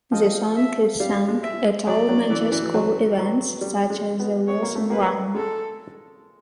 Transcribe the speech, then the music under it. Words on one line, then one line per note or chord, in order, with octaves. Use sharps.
The song is sung at all major school events such as the Wilson Run.
F3 D#5
E5
G3 F5
G#3
E5
F#3 D5
F#3
E3
E3
F#3
F#3
G3
G#3
B3
B3 C#5
A#3
A3
A#3 B4
G#3 A4